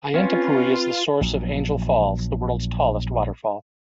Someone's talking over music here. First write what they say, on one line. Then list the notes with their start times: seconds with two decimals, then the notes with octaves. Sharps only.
Auyantepui is the source of Angel Falls, the world's tallest waterfall.
0.14 C4 C#4 F4 B4
1.21 A#1 F#3